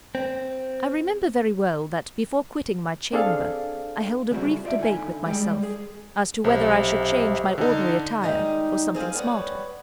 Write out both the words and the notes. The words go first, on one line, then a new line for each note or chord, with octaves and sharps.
I remember very well that before quitting my chamber, I held a brief debate with myself as to whether I should change my ordinary attire for something smarter.
C4
C4 D4 G#4 A4 F5
C#3 G3 C4 E4 F#4
F4 D5 E5
D3 D#4 G#5
G3 G#3 G4 G5
G#4
B1 C3
D3 D#4
D#3 G3 G#3 D#4 G4
C4 G#4 C5 F5
G3 B3 C#5